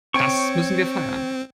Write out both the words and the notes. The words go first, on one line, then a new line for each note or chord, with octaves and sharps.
Das müssen wir feiern.
C4 C#5 G5 C#6